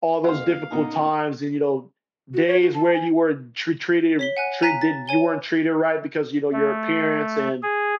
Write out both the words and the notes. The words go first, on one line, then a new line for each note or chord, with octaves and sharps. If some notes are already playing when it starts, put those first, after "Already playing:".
all those difficult times and, you know, days where you were tr treated treated you weren't treated right, because, you know, your appearance, and
F2 F#3 A#3 C5 F5
C#2 A#2 B3 D#4
F#4
C#5
F#4
A5
G#5
C#5 B6 G7
F#5 G#5 F#6
G#5 A#5 F#6 B6 D#7
A6
C#5 G#5 G7
A3
G#4